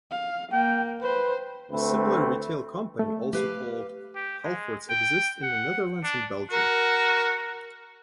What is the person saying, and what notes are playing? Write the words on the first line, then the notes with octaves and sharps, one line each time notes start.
A similar retail company also called Halfords exists in the Netherlands and Belgium.
F5
A#3 G5
B4 C5
D2 A3 C4 B4
A3
G4 B4 F5
G4
G#3
G5
F#5
D4
F#4 A#4